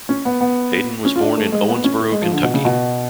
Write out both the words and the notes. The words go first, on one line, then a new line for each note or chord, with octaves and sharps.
Hayden was born in Owensboro, Kentucky.
C#4
B3
B3
C#4
F4
D4
A3
G#3
B3
C#4
A3
G#3
F3
D3
B2
C#3
B2